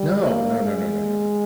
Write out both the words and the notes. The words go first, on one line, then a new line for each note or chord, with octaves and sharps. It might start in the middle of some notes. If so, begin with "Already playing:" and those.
No, no, no, no, no, no, no, no.
Already playing: G3
A#3
G#3